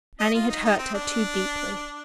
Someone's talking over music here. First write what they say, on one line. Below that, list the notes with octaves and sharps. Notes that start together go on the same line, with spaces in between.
Annie had hurt her too deeply.
D#5
F4
D#4
D#4
C4
D4